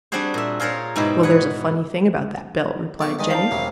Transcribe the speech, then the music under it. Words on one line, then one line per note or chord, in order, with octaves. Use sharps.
"Well, there's a funny thing about that bill," replied Jenny.
G3 C4 D4 F#4 G#4 C5
A#2 E5
F4 G#4 A#4 C5 C#5
G#2 B2 E4 G4
G#4 B4 F#5
B1 D5 C#6
G2 D#3 G#3 D#5
C5 D5 F5 G5 A5
E1 C3 F#3